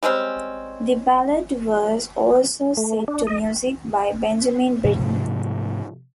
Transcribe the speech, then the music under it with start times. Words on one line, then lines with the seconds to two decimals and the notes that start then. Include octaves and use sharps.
The ballad was also set to music by Benjamin Britten.
0.03 G3 G#3 C4 C#4
2.77 A3
3.08 D4
3.27 D#5
4.84 G#2 C3 F3 A3